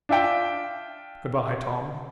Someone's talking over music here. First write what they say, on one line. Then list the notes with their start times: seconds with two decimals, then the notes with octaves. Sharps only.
Good-by, Tom.
0.09 D4 F4 E5 G5